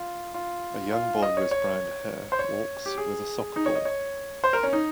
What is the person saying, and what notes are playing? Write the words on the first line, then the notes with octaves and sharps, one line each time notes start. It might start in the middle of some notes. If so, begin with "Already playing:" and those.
A young boy with brown hair walks with a soccer ball.
Already playing: F4
F4
F4
D#5
C#5
C#5
C5
C#5
G4
G#4
D#4
C#5
D#5
C#5
C5
A#4
C#4
D#4